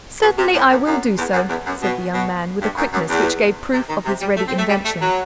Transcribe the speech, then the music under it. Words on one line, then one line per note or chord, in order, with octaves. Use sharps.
"Certainly, I will do so," said the young man, with a quickness which gave proof of his ready invention.
B2
C3
A2
F#2
F#2
E2
F#2
E2
F#2
B2
B2
G2
F#2
F#2
E2
C3
D#3
C3
G3
A3
C4
A3
G3
A3
F#3